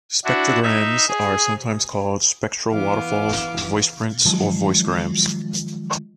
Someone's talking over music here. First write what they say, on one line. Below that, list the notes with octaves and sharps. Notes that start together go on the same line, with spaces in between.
Spectrograms are sometimes called spectral waterfalls, voiceprints, or voicegrams.
D4 E4 F#4
D#4 E5
G#4
E3 B3 F5 D6
D#3 F3 F#3 G#3